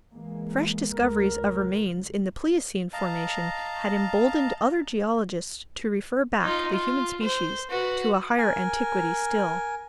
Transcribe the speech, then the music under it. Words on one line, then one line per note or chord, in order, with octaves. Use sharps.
Fresh discoveries of remains in the pleiocene formation had emboldened other geologists to refer back the human species to a higher antiquity still.
E3 G#3 A#3
F1 C#2 A#4
D#5 F5 A5 A#5
D#4 F4
F4
C5
F#4 B4
A#4 G#5